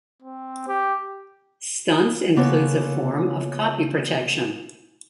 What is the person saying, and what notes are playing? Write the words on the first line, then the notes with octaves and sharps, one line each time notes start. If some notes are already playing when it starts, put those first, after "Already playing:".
"Stunts" includes a form of copy protection.
C4
G4
C#3 A#3 B3 F4 A4 C#5